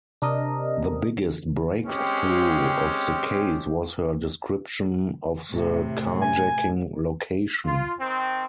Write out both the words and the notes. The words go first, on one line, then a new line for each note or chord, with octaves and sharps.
The biggest breakthrough of the case was her description of the carjacking location.
C3 D4 A#4 D#5
G#3 C4 C#4 G4
A2 C3
G#5
F4
D#3 C4